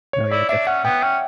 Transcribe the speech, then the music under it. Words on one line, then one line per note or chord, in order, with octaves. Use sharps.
Oh, yeah. Definitely.
C#5
E4 D5
D4 E5
C#4 F#5
B3 G5
C#4 G5